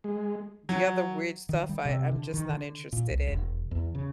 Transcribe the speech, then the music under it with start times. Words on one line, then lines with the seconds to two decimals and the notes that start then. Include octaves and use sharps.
The other weird stuff I I'm just not interested in.
0.04 G#3
0.69 F#3
1.49 D#3
1.69 G3
1.85 C3
2.11 D3
2.34 D#3
2.49 D3
2.93 A#2
3.11 C2
3.29 E1
3.71 E2
3.95 C#3